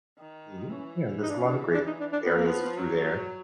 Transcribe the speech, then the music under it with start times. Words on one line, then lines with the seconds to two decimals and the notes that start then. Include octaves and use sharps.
Mhm. Yeah, there's a lot of great areas i through there.
0.19 D#3
0.70 E3 C#4
1.22 D#4
1.30 D4
1.38 C#4
1.46 D4
1.74 D4
1.87 D#4
2.00 D4
2.13 D4
2.25 F3 B3
2.36 A#3
2.46 B3
2.78 F#3